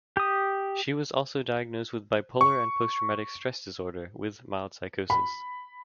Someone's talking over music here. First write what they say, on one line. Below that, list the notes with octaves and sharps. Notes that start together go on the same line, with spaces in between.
She was also Diagnosed with bipolar and post traumatic stress disorder with mild psychosis.
G4 D#6
C#6
B5